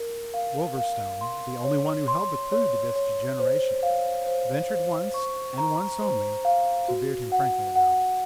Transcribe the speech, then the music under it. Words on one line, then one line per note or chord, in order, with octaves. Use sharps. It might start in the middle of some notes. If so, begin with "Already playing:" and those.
Wolverstone, the only one who held the clue to this degeneration, ventured once--and once only--to beard him frankly about it.
Already playing: A#4
F5
F5
C6
C#5
C6
C#5
C#5
C5
F5
C5
C5
C#6
A#5
C5
F5
F#4
F#5
F#5